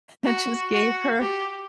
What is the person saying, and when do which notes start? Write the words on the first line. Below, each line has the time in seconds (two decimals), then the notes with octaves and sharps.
and just gave her
0.25 F#4
0.73 F#4
1.21 G4